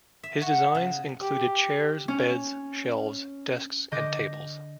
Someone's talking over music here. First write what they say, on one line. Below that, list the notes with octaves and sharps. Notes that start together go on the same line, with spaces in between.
His designs included chairs, beds, shelves, desks and tables.
E5
F#4
C#3
G4
C#4
D3 D#5 D6 G6